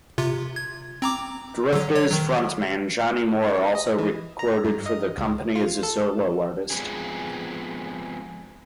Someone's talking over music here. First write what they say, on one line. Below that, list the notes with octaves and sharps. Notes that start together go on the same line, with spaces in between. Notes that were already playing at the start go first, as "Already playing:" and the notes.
Drifters front man Johnny Moore also recorded for the company as a solo artist.
C3 F4
G#6
C4 A#5 D6
D3 F#3
C#5
D#3 F#3
D#5
E3
A#5
G2
D#5
C#2
F4
A4
F3 G#3 B3 C4 D4 G#4